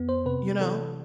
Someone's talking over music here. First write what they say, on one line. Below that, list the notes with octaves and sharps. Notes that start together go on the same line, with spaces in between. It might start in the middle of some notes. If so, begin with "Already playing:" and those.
you know.
Already playing: F2 B3
C5
C3 B4
E3 A4